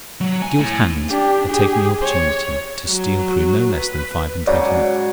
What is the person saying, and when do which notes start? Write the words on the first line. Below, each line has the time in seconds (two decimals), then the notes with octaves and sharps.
The gilt hands had taken the opportunity to steal through no less than five and twenty minutes behind his back.
0.21 F#3
0.42 G#5
0.58 A2
1.08 D4 G4
1.49 G4 G#4
2.01 C#5
2.87 F#3
3.75 B4
4.47 G#2 C#3 F#3 C#5 D5